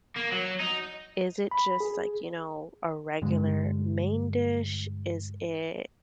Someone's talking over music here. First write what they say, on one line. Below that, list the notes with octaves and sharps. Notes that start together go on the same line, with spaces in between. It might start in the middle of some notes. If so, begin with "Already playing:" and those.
is it just, like, you know, a regular main dish? Is it
A#3
F#3
D#4
B5
G#4
G2 D3 G#3